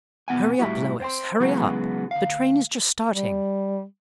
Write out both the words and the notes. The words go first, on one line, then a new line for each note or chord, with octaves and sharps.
Hurry up, Lois; hurry up! the train is just starting!'
B1 E2 B3 F#5 G#5
A2 G3 A#3 E4 F#4
C5 G5 C6
C#3 E3 F#3 G#3 B3 F#4
D2 F5
G3